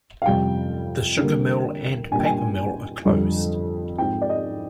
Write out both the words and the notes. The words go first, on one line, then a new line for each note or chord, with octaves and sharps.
The sugar mill and paper mill are closed.
F5
F2 C3 G3 G5
D3 G3 A#3
A#2 G3 A#3 D4 G#5
G5
G#5
F2 D3 G3
G#2 F3 C4 G5
D5
D#5